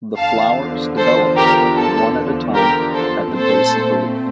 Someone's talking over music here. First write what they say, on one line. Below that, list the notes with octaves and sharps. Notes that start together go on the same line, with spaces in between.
The flowers develop one at a time at the base of the leaf.
E2 D3 F3 F5 A5
A4 C5
G4 A#4
A4
G4 A#4
A4 C5
A#2 A3 C4 A4 C5